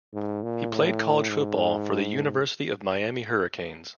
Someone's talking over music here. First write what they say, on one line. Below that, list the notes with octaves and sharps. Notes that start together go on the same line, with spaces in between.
He played college football for the University of Miami Hurricanes.
G#2
A#2
A2
G#2